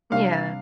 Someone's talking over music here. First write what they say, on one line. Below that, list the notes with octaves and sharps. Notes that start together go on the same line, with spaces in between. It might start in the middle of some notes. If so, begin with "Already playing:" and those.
Mm, yeah.
C3 G3 D4 F5